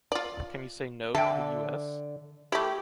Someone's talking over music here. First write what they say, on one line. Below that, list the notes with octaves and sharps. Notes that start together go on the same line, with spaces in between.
Can you say “no” to the US?
F4 D5
D3 A4 E5 G5
A3 E4 G4